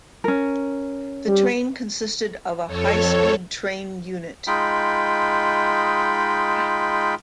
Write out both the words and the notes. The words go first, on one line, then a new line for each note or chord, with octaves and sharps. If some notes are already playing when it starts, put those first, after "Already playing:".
The train consisted of a High Speed Train unit.
C#4 A#4
G3
F2 A4 C#5
G#3 D#4 F4 G5 B5